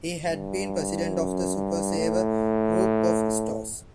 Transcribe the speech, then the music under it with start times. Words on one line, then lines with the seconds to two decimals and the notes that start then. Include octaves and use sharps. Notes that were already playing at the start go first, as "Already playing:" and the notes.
He had been President of the Super Saver group of stores.
0.25 G2
1.11 F#2
1.54 G2
1.98 A2